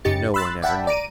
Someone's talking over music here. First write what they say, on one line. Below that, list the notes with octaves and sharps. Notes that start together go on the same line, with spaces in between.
No one ever knew.
F#2 C#3 D#4 G4 A6 C#7
B5 C6 E6 F#6 A6
D5 E5 F#5 G5 A5 B5
D5 A#5 D7 D#7